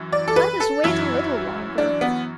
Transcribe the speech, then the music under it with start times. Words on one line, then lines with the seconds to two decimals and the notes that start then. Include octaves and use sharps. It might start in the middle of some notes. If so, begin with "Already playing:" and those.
"Let us wait a little longer."
Already playing: F#2 E3
0.12 D5
0.28 A4
0.36 B4
0.60 A4
0.84 F#2 E3 E4
1.78 D4
2.01 B3